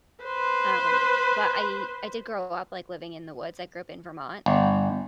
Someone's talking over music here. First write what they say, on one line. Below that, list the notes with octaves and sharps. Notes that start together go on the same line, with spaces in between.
Um, but I I did grow up, like, living in the woods. I grew up in Vermont.
B4 C5
G1